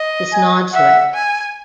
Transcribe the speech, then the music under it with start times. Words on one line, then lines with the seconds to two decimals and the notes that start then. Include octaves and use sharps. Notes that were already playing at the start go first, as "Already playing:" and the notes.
this nod to it.
Already playing: D#5
0.33 G#5
0.73 E5 F#5
1.14 G#5